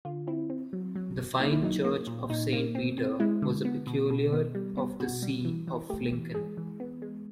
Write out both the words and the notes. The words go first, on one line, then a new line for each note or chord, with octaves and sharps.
The fine church of Saint Peter was a Peculiar of the see of Lincoln.
D3 F4
C4 E4
C4
F#3
F#3
B2
A#3 D#4
E4
F#3 D#4
A#3
A#2
A#2 D#4
A#3
C4
C4
G#3 E4
D3
B3
B2
B2
B3
G3
B3
B2 F#4
G3
E3
E3
A3 G4
E3
G#3 G#4
E3
B3
G#3